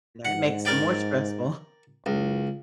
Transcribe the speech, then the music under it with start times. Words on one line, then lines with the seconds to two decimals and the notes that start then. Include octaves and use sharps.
That makes them more stressful.
0.25 G#2 F#5
0.65 A#4 D5 G5
2.06 F#1 C#2